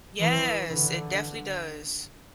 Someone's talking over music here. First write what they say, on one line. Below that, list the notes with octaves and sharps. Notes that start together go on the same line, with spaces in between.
Yes, it definitely does.
E3
D3